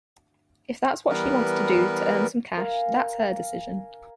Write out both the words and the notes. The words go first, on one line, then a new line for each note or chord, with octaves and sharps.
If that's what she wants to do to earn some cash that's her decision.
E3 G3 B3 A#4 B4
A#4 F5 G#5